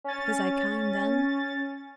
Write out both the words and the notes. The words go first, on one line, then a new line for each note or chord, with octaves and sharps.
Was I kind then?
C#4 A6